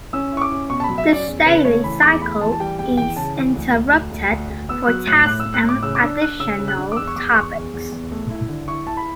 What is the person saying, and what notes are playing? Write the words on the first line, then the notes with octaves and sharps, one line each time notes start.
This daily cycle is interrupted for tests and additional topics.
C#4 E6
E4
C#6
D6
C#4
B2 C#6
A5
F#3 B5
E5
C#4
D5
E2
C#3 B4
A3 C#5
E3 B5
E2 D6
A3 B5
E3 A5
A5
G3 G5
E2 G5
E3 G5
C#3 A5
E3
D2
D2
D2
D2
D2
D2
B3 E6
F#3 F#6
A2 F#6
A2 F#6
E6
A2
F#6
A2 D6
C#3 E6
D6
D4 E6
D4 F#6
C#3 E6
C#3
F#6
D4
D6
E2 E6
C#6
E2 D6
E2 C#6
E2
E2
E2
A3
E4
D3
E4 C#6
E4 A5
B5